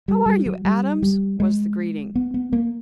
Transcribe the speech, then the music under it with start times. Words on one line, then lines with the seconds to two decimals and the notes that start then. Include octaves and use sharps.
"How are you, Adams!" was the greeting.
0.08 G3
0.26 G3
0.46 F#3
0.65 G3
1.02 G3
1.40 G#3
2.15 B3
2.34 B3
2.53 A#3